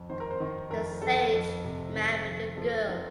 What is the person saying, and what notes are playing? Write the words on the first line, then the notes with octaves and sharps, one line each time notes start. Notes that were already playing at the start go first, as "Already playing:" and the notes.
The sage married the girl.
Already playing: F2
D#3 C5
A#4
C5
D#3
F2 A#4
F2 A4
F2
C3
D#3
F2
F3 A4
F3 D#4